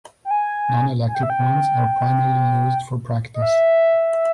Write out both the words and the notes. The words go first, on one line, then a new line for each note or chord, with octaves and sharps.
Nonelectric ones are primarily used for practice.
G5
G#5
G#5
G5
E5
G5
D#5
E5